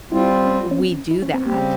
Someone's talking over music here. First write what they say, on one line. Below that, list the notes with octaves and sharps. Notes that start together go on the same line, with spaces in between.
we do that.
G3 C4 E4 F4
C#4
C#4
C4
E4
C#4
C4
C#3 G3 A#3 C4 G4